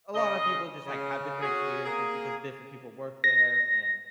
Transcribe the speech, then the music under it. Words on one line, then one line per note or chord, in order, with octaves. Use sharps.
a lotta people just, like, have different experiences because different people work there, and
C#3 D#5
C#3
C#4 F#4 G#4
A#3 G#4
A#6